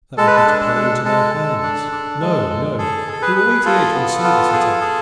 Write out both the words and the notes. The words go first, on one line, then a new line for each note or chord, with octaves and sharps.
That would be to play into their hands. No, no, we will wait here to receive this attack.
G#3 A4
B4
A4
D4
A4
G#3
G#3 A4
G#3
D4
D4
G#3
G#3
G#4 A4
G#4
A4
G#4 B4
G#4
F4 A4
B3
F4
G#4
G#4